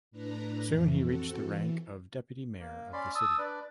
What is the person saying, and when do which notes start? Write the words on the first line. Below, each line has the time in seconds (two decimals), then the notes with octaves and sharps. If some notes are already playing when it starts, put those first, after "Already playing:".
Soon he reached the rank of deputy mayor of the city.
0.11 A2 D4 B4 A#5
0.65 F2 E3
1.02 C4 F#4 A4
1.36 E3
2.60 A#3
2.93 C#4 D5 B5 C6
3.15 A5 D#6 E6
3.38 D4 B4 D5